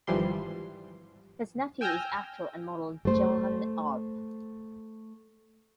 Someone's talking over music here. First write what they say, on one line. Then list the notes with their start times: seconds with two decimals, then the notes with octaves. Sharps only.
His nephew is actor and model Johann Urb.
0.07 G#1 E3 F3 G3 C6
1.81 G5 G#5 E6 F6 G6 A#6
3.05 A3 C5